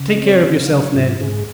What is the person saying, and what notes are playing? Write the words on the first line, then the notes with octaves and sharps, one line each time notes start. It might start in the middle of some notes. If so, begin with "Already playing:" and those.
"Take care of yourself, Ned."
Already playing: C#3
D#5
C4
C#5
C#3
F5
F#3
C#5
G#2 F4
G#2 G#4